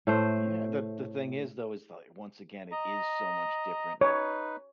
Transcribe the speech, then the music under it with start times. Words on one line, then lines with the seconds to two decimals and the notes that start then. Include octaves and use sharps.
Yeah. The the thing is, though, is that, once again, it is so much different. Like,
0.07 A2 A3 C5
2.72 D#5 A#5
4.01 D#4 B4 C#5